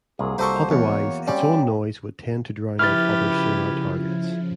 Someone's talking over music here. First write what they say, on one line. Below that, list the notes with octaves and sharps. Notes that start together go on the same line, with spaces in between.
Otherwise, its own noise would tend to drown out other sonar targets.
C2 F#3 A#3 G#4
C2 G4 A4 C5 D#5 C#6
E2 C#5
G3 C4 C#4 D5
C#3 F3 E4 G4 B4 F6 A6